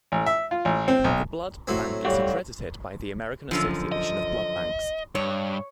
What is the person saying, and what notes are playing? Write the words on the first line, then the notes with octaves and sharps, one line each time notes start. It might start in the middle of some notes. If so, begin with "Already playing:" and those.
The blood bank is accredited by the American Association of Blood Banks.
A1
E5
F4
A1
C4
B1
A2 F#3 C4
G3 G4 C#5 F5 F#5
F#2 D3 F3
D#5
G2 C#5